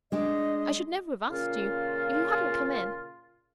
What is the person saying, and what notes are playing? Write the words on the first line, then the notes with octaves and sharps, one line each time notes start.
'I should never have asked you, if you hadn't come in.
G#3 D4 D5 D#5
A#2 C#3 C#4 F4